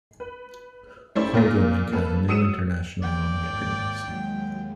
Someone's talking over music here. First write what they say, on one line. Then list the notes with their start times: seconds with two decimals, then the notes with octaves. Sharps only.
Koryolink has no international roaming agreements.
0.20 B4
1.15 G3 A3 C#4 E4 C5 D5
1.34 A#2 F4 A#4 A#6
1.92 A#3 A4 B4
2.28 F#3 D#6 E6 C#7 D#7 E7
3.02 D#2 D5 G5
3.46 G#1
4.08 D#2 F#3 G#3